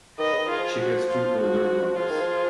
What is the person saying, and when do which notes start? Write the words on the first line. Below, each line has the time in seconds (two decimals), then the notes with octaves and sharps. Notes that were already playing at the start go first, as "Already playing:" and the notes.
She has two older brothers.
0.18 D#3 B4 D#5
0.33 C#3
0.38 D#3
0.48 F4 G#4
0.58 F3
0.79 F#4
1.08 F4
1.39 F#4
1.98 F3 F4 G#4
2.10 D#3
2.21 F3